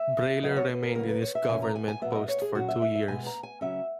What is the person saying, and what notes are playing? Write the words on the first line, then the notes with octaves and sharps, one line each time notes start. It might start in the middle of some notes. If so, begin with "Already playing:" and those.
Brailer remained in his government post for two years.
Already playing: E5
C#3 F#3 B3 D#5
C#5
B4
A#4
C#3 F#3 A#3 A#4
B4
C#5
E5
E2 B2 A#3 C#4 G#5
A#5
G#5
G#5
A#2 F#3 B3 E5
D#5
C#5
G#4
A#2 F#3 C#4 F#4
E5
E5
E5
B2 G#3 B3 G#5
A#5
G#5
C#3 F#3 C#4 E5